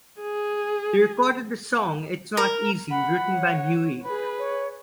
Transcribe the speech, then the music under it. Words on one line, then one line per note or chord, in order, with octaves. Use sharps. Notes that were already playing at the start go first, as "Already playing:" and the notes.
They recorded the song "It's Not Easy" written by Muir.
G#4
A#4
F#5 B5
C#5
G#4 B4 B5
C#5